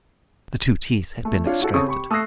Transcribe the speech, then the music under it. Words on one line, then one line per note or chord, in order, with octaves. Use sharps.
The two teeth had been extracted.
A3
D4 F4 C#5
E4 F#4 A4
C#3 C4 A4 C#5 C#6 D#6
G4 B5 C#6
A3 D#6 E6 F#6 A#6 C7